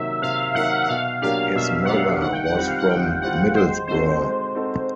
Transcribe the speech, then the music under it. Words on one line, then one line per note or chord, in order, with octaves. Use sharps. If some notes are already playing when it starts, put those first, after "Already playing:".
His mother was from Middlesbrough.
Already playing: C3 D#3 F#3 A#3 E5
C3 F5
D#3 F#3 A#3 F#5
F#5
B2 F5
F#3 A#3 D4 G4 F5
B2 E5
F#5
F#3 A#3 D4 G4 F5
D#3 F#5
G5
F#5
G3 C4 F4
F5
F#5
D#3 G5
G3 C4 F4 F#5
G#3 C5
C4 D#4 F#4 A4 C5
G#3
C4 D#4 F#4 A4